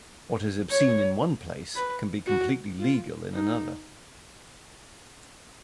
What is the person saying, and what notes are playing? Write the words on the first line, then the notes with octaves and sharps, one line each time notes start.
What is obscene in one place can be completely legal in another.
C#5
B4
F#4
F4
D#4